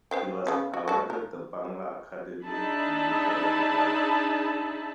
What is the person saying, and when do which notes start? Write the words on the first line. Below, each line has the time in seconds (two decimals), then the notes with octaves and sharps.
He was awarded the Bangla Academy Literary Award.
0.11 C5 F5 G5
0.47 C#3 B3
0.74 F#4
0.88 F#4 A4
1.10 A#4
2.45 D4 D#4 G#4 E5 A5 B5